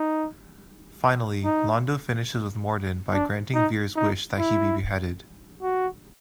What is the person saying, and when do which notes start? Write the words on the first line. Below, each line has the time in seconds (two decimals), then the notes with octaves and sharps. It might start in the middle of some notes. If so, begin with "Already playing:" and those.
Finally, Londo finishes with Morden by granting Vir's wish that he be beheaded.
Already playing: D#4
1.45 D#4
3.12 D4
3.54 D#4
3.96 D#4
4.38 E4
5.62 F#4